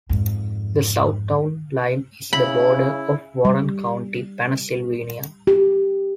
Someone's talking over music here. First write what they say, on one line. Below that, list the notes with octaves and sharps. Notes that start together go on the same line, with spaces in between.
The south town line is the border of Warren County, Pennsylvania.
F2 G#2
C#3 E4 B5
G3
G4